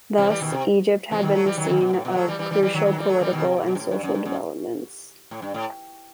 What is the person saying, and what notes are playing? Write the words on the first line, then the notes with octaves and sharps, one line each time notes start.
Thus, Egypt had been the scene of crucial political and social developments.
C3 E3
E3 G3
B2 D#3
C3
C3 E3
B2 D#3
F#3 A3
E3 G3
D#3 F#3
E3
B2 D#3
B2
A2
B2
F#3 A3
E3 G3
E3 G3
E3 G3
E3 G3
D#3 F#3
D#3 F#3
E3 G3
F#3 A3
E3 G3
B2 D#3
C3
B2
B2
G2
A2
G2
F#2
G2
F#2
A2
G2
A2